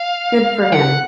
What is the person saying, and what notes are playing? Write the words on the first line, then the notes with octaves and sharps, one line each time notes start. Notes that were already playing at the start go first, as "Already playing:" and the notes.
Good for him.
Already playing: F5
F#5